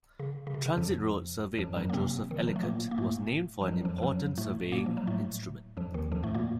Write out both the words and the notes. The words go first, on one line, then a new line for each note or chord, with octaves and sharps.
Transit Road, surveyed by Joseph Ellicott, was named for an important surveying instrument.
C#3
C#3
C3
C#3
F2 F3
F2 F3
F#2 F#3
A#3
C3 C4
D#3
F3
F#3
A3
A#2 A#3
A#3
A2 A3
F3
F#2 F#3
F2 F3
F3
F#2 F#3
A2 A3
A#2 A#3
F3
F#3
A2 A3
F2 F3
D#2 D#3
F2 F3
A2 A3
A#2 A#3